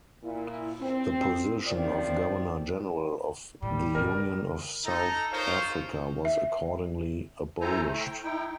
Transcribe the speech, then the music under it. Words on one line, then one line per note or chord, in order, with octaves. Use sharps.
The position of Governor-General of the Union of South Africa was accordingly abolished.
A#2 E4
C4
F#2 D#3 F3 C4 D5
A2 D3 G3
C#3 G#3 A#4
D#4 A4 A#5
D#4 F4 A#4 C5 C#5 D#5
E5
E4 A4 C5 G#5 A#5
A3
G5
D#4 E4 G5